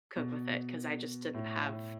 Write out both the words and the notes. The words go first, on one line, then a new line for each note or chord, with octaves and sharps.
cook with it 'cause I just didn't have
B2
A2